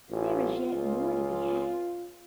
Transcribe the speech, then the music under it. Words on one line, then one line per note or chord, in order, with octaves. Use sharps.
"There is yet more to be had!"
A1 F4
C#2